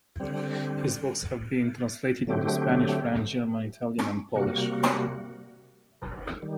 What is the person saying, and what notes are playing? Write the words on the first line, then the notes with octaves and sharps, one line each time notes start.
His books have been translated into Spanish, French, German, Italian and Polish.
D3 G3 C4
D3 F#3 A3 C4 G4
C3 G3 A#3 F#4
D#3 G3